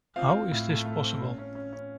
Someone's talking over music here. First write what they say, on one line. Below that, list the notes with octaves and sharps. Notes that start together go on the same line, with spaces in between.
How is this possible?
C4 F4 F5
C4
A2
A3
A3
C4
C#4
C#4
C#4
C#4